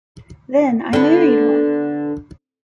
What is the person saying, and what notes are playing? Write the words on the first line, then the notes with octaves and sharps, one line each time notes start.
Then I married one!
D3 B3